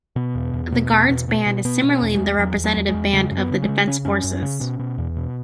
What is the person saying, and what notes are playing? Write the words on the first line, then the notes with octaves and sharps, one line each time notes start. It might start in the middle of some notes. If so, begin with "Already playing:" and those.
The Guards Band is similarly the representative band of the Defence Forces.
B2 B3
E2
E2
B2
E2
B2
B2
B2
B2 B3
B2
C#4
E2
G#3
E2
E2 F#3
E2
F#3
E2
G#3
E2
C#3 G#3
F#2
B3
C#3
G#3
C#3
C#3 C#4
F#2 C#4
F#2
C#3
B2
B2
E2
B2